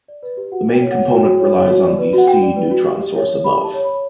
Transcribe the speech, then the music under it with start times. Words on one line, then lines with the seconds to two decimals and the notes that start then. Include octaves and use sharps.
The main component relies on the C neutron source above.
0.08 D5
0.23 B4
0.37 G4
0.52 F#4 F#5
0.66 F#4
0.72 G5
0.82 C#5
0.91 F#5
0.95 C#5
1.10 F#4 G5
1.25 F#4
1.40 C#5
1.54 C#5
1.69 F#4
1.84 D5
1.98 B4
2.13 F#4 F#5
2.27 F#4 G5
2.43 D5
2.56 B4
2.71 F#4
2.86 G4
3.00 G4
3.15 C#5
3.29 C#5
3.44 G4 B5
3.59 G4 A5
3.74 C#5
3.84 B5
3.89 C#5